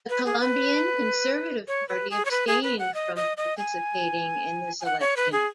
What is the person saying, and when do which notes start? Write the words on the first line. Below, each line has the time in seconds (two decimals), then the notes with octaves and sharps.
The Colombian Conservative Party abstained from participating in this election.
0.09 B4
0.26 G#4
0.41 B4
1.68 C#5
1.89 B4
2.11 G#4
2.25 C#5
2.31 B4
2.47 G#4
2.63 B4
2.79 F#5
2.94 D#5
3.16 D#5
3.37 D#5
3.58 G#5
4.81 G#5
4.85 F#5
5.00 C#5
5.17 B4
5.32 G#4